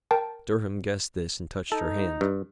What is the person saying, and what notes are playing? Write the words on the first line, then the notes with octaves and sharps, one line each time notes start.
Durham guessed this and touched her hand.
A#4 G5 A5
D#4 A4
G2